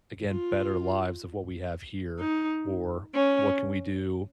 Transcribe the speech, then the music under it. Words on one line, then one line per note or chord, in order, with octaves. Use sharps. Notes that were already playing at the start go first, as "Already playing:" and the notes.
again, better lives of what we have here or what can we do
F4
D#4
C#4